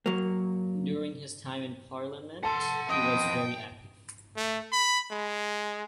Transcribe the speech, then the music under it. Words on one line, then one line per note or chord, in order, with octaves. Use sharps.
During his time in Parliament he was very active.
F#3 A#3
A4 F#5 A5 C6
F2 B3 D#5 G5 C6 D#6
A3
B5
G#3